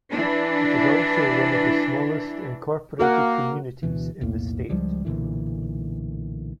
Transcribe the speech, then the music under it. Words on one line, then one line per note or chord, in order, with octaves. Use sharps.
It is also one of the smallest incorporated communities in the state.
E3 D4
A#3 F#4 A#4 F#5
D2 B2 E3
B1 E2 A2 A#3
C#2 F3 G3 G#3
B1 A#2 D3 E3